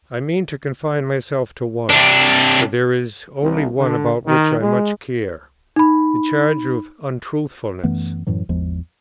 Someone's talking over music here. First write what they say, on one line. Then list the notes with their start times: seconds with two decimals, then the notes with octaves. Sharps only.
I mean to confine myself to one, for there is only one about which I much care,--the charge of Untruthfulness.
1.90 C3 D4
3.41 C2
3.77 D3
4.25 D#3
4.59 G#3
5.76 D#4 B5
7.84 F#2 E3 A3 B3
8.27 F#2 A2 E3 F#3
8.49 G#1 E2 F3 G#3